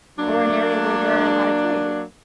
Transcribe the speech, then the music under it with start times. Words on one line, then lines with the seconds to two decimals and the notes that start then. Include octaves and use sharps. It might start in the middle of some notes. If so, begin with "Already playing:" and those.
Or an area where there are a lot of kids?
0.18 F#3 A#3 D4